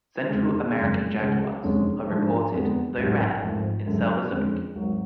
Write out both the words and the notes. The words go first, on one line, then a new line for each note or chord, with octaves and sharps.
Central American jaguars are reported, though rare, in Selva Zoque.
F2 C#3 G#3
F#1 F2 C#3 G#3
C#2 C#3 G#3
F1 F2 D3 G#3 C#4
G#2 F3 A3 D4
F2 D3 G#3 B3 D4
A1 G#2 F#3
G#1 G#2 F3 A3
F#1 F#2 D3 G#3
F2 D3 F3 G#3 C#4
G#1 G#2 F#3